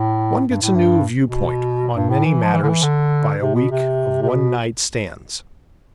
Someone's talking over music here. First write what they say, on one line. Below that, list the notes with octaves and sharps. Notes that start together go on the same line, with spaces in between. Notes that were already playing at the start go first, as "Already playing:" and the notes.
One gets a new viewpoint on many matters by a week of one-night stands.
Already playing: A2
G2
A2
G2
B2
G2
A2
E3
F3
E3
D3
E3
D3
C3
B2
C3
C3
B2